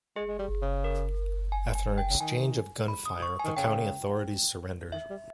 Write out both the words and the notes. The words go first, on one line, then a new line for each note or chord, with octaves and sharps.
After an exchange of gunfire, the county authorities surrendered.
G#3 G#4
G#3
G3
C#3
A#4
G#5
G#5
G5
C#3
D#3 G#5
B5
D#6
C#6
G#5
D#3
C#3 G5
D#3 E5
G3